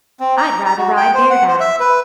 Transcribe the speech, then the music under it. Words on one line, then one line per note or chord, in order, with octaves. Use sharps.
I'd rather ride bareback.
C4
A#5
A#5
F#4
G5
C5
F#5
C5
E5
B4